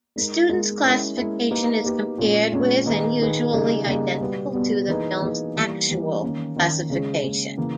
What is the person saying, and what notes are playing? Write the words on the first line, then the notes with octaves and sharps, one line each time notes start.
The students' classification is compared with, and usually identical to, the film's actual classification.
G#3 D#4 A#4
G#3 D#4 A#4
G#3 C#4 E4 A#4
G#3 C#4 E4 A#4
A#3 D#4 G4 B4
A#3 D#4 G4 B4
A#2 G#3 C#4
A#2 G#3 C#4
D#3 A#3 D#4 G#4 B4
D#3 A#3 D#4 G#4 B4
C#3 G3 A#3 D#4 G#4
C#3 G3 A#3 D#4 G#4
B2 G3 B3
B2 G3 B3
E3 A#3 D#4 G#4 B4
E3 A#3 D#4 G#4 B4
E3 G3 A#3
E3 G3 A#3
D#3 A#3 C#4
D#3 A#3 C#4
C#3 G#3 C#4 G#4
C#3 G#3 C#4 G#4
C#3 E3 A#3